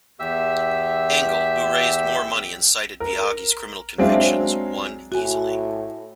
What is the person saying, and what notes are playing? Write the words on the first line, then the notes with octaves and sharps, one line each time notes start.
Engel, who raised more money and cited Biaggi's criminal convictions, won easily.
E2 G4 E5 E6
A#4
F#3 G#3 C4 D4 E5 F5
A2 F#4 G#5